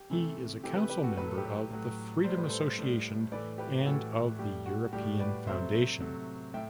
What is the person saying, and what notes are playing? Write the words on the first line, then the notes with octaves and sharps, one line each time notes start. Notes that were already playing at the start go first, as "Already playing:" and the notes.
He is a council member of The Freedom Association and of the European Foundation.
Already playing: G4
C3 E3 A3
C3 E3 A3 G4
G4 B4
G4 B4
F#4 A4
A2 F#3 A3 B4
A4
G4 B4
A2 F#3 A3
A2 G3 C5
B4
A4 C5
A2 G3
A2 E3 A3 B4 D5
G4 B4
A2 E3 A3 F#4 A4
A2 G3 G4
F#4
A2 G3 G4
B4 D5
C3 F#3 A3 C5 E5
C3 F#3 A3
A2 E5 G5